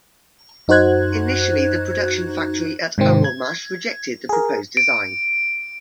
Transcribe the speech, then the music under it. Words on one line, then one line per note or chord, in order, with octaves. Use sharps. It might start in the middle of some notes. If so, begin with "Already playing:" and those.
Initially the production factory at Uralmash rejected the proposed design.
F#2 D#4 F#4 C5 F#6 G#6
G#2 C3 D#3 C4
G#6
G#4 A#4
D7